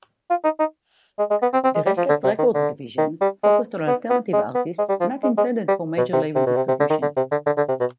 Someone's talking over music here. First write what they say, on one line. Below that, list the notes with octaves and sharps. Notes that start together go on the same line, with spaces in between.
The Restless Records division focused on alternative artists not intended for major label distribution.
F4
D#4
D#4
G#3
G#3
B3
C4
C4
G#3
G3
F3
D3
C3
D#3
D3
D#3
G3
G#3
B3
B3
G#3
B3
G#3
G3
F3
G#3
G#3
G3
B2
C3
C3
B2
C3
C3
D3
D#3
D3
C3
D3
D3
D3
C3
B2